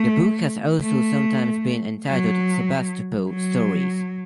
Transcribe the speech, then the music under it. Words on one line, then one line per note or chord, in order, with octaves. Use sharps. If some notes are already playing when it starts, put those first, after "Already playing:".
The book has also sometimes been entitled Sebastopol Stories.
Already playing: A3
A3
F#3
F#3